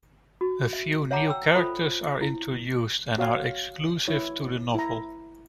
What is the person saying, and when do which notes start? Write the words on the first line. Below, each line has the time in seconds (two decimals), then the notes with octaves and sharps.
A few new characters are introduced and are exclusive to the novel.
0.41 F#4
0.73 E5
1.11 C#5 E5 F#5 A5 A#5 D6
1.27 G5 E6
1.55 F4 A4 C5 E5 B5
2.21 E4
3.18 F#4 C#5 F5
4.08 E4 C#5
4.75 E4 A#5